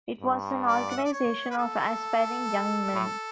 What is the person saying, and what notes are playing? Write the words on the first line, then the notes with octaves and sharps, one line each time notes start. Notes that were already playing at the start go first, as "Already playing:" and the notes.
It was an organization of aspiring young men.
G2
D5
F#5
E5
D5
C#5
B4
A4
A2